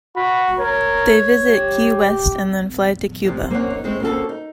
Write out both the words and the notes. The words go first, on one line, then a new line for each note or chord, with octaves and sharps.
They visit Key West and then fly to Cuba.
F#4 B5
A#4 C#5
G4
G2 C3
A#3 C4 C#4 C#5 F#5
D#4
A2 G#3 C4
C#3 A#3 C4 F#4 A4
D#4